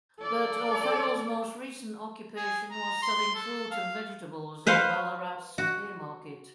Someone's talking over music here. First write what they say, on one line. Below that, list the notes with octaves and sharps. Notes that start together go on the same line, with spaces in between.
But O'Farrell's most recent occupation was selling fruit and vegetables in Ballarat's Haymarket.
A4 D5
G#4
A#5
C6
A4
F5
B4 C5 F5 F#5
F#4